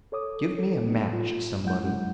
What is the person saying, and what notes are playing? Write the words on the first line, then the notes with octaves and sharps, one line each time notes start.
Give me a match somebody....
A4 C#5 D6 D#6
A4
B3 D#4
A2 F4
F2 F#3 G#3 E4 F#5 G6